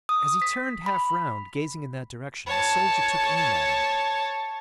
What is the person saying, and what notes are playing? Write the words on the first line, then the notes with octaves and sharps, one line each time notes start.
As he turned half round, gazing in that direction, a soldier took aim at him.
D#6
B6
B5
C#5 A5